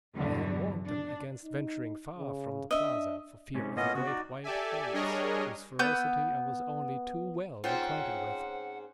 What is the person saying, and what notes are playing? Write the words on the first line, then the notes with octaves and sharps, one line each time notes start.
I had warned them against venturing far from the plaza for fear of the great white apes, whose ferocity I was only too well acquainted with.
E2 G2 B2 D3 E3 F#3
D4
D#4
C#3
D4 D#5 E5
G#2 C3 C#4
A2 A#3 B3 C#4 F4 D#5
C#3 B3 F#4
D#4 D5
G4 A4 D5 E5 G#5
G3 D4 G#4 A#4 C#5 D#5
B3 E6 G6
G#2 C4 C#4 F4 F#5 G5